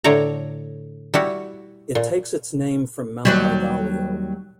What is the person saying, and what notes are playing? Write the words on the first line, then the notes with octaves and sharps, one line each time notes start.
It takes its name from Mount Aigaleo.
A2 D3 A3 C#5 A#5
G3 E4 F#4
A#2
D#2 F#3 G3